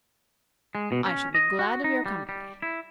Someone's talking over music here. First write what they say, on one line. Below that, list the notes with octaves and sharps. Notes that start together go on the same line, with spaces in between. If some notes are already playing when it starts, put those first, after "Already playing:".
"I shall be glad of your company."
G#3
B2
C#4
D#5
F#4
D#4
G3
G3
E4